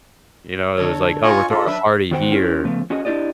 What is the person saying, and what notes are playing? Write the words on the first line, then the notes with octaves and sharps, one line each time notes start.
You know, it was like, "Oh, we're throwing a party here,"
D3 A4 C#5
D#4 F4 G#5 C#6
A#2 F4 A4
F#3 D4 B4 E5
E2 D#3 F#4 C5 F#5 G5
C#4 E4 A#4 C#5
C#3 F3 A3 B3
C#4 F#4 G#4 D#5
D4 E4 F#4 G4 D5 D#5